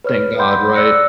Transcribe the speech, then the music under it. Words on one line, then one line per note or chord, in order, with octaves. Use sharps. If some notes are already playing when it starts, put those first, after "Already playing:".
Thank god, right?
B4 C#5 F6
F#5 G5 B5 C6 G6
D5 E6 F#6 A#6 C#7